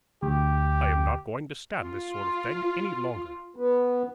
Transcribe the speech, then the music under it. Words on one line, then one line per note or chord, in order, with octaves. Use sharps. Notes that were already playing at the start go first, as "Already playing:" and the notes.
'I am not going to stand this sort of thing any longer.
D2 G4
F4
B3